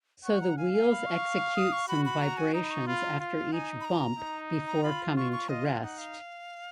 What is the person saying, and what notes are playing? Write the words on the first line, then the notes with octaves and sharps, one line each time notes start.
So the wheels execute some vibrations after each bump before coming to rest.
F#5 C#6
A#5
F5 G#5
G#5
B5
C#6
D#6
C#6
F#4 B5
B5
A#5
G#5
D#4 A#5
B5
C#6
F4 B5
A#5
F4 F5
F5
D#4 G#5
B5
A#5
D#4
A#5
F4 B5
F4 C#6
C#6
F4 D#5
F#5
D#4 F#5
F5